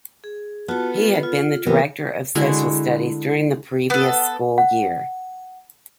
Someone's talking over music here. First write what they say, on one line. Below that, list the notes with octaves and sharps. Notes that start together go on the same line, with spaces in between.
He had been the Director of Social Studies during the previous school-year.
G#4
B3 F4 F#4 A4 A5
F4
F4
E3 A#3 B3
D3 G#3 E4 F#4
B3 A4
F#5